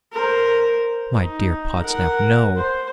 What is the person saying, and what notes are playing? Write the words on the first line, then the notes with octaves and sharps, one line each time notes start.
'My dear Podsnap, no.
A#4 C5
D#4
A#4 F#5
C5